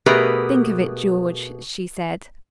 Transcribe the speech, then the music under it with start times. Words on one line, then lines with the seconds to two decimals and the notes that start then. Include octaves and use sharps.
"Think of it, George," she said.
0.06 B2 A3 G4 G#4 A#4 B4